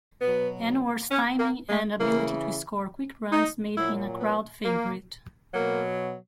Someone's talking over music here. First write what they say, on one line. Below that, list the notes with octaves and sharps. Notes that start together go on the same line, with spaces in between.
Anwar's timing and ability to score quick runs made him a crowd favourite.
B2 F#3 B3
C#4
A#3
G#3
C#3 E3 A#3
D#4
A#2 F#3 E4
B3
A#3
B2 F#3 A#3